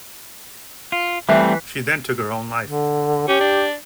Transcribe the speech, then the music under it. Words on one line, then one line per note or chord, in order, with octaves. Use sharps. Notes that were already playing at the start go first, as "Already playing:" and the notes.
She then took her own life.
F4
E3 G3 A3 C4
D3
C#4 G4
D4